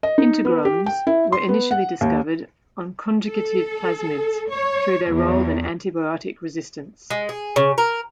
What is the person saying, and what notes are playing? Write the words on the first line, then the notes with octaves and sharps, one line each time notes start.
Integrons were initially discovered on conjugative plasmids through their role in antibiotic resistance.
D#5
D#4
B3
G4
G5
E4
C6
B3
F#5
D#2
A4
C#5
E2
G#3
G#4
C#3
A#4